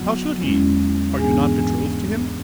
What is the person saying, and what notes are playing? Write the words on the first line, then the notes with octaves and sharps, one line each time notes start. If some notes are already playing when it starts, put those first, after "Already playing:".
How should he? Are you not betrothed to him?
Already playing: F#2 D3 F#3 B3 E4 F#4 F#5
E2 D3 G#3 C#4 E4
G#2 E3 B3 D4 G#4 G#5
G#4 G#5